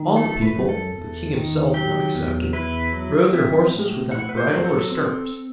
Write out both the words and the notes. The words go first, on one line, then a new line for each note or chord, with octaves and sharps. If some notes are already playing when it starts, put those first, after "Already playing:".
All the people, the king himself not excepted, rode their horses without bridle or stirrups.
Already playing: D#3
A3 A4
B4
F#2
A4
E2
D#3
F#3 G4
E2
E4 B4
F#3
C4 E5
A2
E4 F#5
B4
C5
F#3
A4
C4